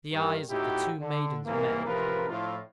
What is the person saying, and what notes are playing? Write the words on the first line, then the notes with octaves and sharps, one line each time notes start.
The eyes of the two maidens met.
G2 D#3
A2 D#4 E4 F#4 G4
D3
C2 G#2 E3 A#3
A1 C3 F3 F4 A#4 B4
A2 F3 D4 E4 F4